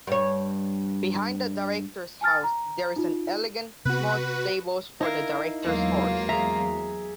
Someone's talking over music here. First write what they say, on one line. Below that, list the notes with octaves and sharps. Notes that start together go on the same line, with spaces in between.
Behind the Director's house there is an elegant, small stables for the Director's horses.
G2 C#5
G#5 A5 F6 A6
A#5
D#4 F4
C3 B3 C4 F#4 B4 F#6
D#4 E4 A#4 F5
E2 F#3 G#3 A#3 F4
G#4 E5 A#5